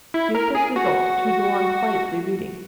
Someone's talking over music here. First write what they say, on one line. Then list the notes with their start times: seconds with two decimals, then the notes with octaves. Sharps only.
Eustace resolved to go on quietly reading.
0.14 E4
0.35 A#4
0.55 G#4
0.76 F#4